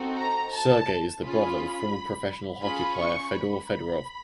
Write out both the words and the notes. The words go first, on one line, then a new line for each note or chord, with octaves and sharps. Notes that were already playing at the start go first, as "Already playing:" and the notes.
Sergei is the brother of former professional hockey player Fedor Fedorov.
Already playing: C4 D#4 F#4 A4
A#5
A5
C#4 F4 G#4 B5
C#4 F4 G#4 B5
C#6
B5